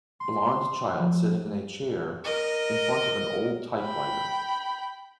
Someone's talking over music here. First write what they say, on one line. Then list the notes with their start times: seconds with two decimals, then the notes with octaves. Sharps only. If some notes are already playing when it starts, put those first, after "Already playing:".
Blond child sitting in a chair in front of an old typewriter.
0.20 C6
1.00 F3
2.24 A#4 D#5
3.82 G5 B5